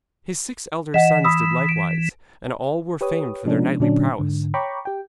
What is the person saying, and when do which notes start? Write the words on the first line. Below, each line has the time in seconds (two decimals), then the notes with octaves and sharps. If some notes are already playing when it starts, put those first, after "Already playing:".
His six elder sons did likewise, and all were famed for their knightly prowess.
0.94 E3 D#5 F#5
1.24 B5 D#6 E6
1.69 D7
3.01 G4 B4 C#5 D#6
3.45 C3 F3 G#3 B3 C#4 D4
3.80 A#2 D3 F#3 C#4 D4
4.19 G#2 D3
4.54 C#5 G5 A#5 B5 C#6 D6
4.85 G4 G5